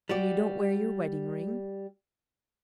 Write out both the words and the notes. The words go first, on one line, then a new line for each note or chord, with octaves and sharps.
"And you don't wear your wedding-ring?"
G3 F#4 D5